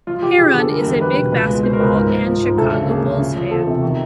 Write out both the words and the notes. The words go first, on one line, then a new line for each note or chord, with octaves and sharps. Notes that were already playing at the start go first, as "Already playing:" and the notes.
Herron is a big basketball and Chicago Bulls fan.
F3 F4
F3 G4
F3 G#4
G#4
D3
A4
G3 A#4
E2
G3 B4
B2
C#2 B4
G#3
B2 C5
A#4
C#2 B4
G#2 A#4
F3
F3
G#2
D2 A4
C#3
A#3 G#4
C#3
F3
F3
E2 A4
C3
D#3